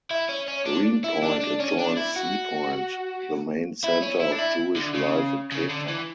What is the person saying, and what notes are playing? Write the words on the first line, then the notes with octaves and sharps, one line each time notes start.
Green Point adjoins Sea Point the main centre of Jewish life in Cape Town.
E4
C#4
C#4
D4
E4
D4
D4
C#4
D4
E4
F#4
E4
C#4
E4
D4
E4
D3
C#3
C#3
D3
E3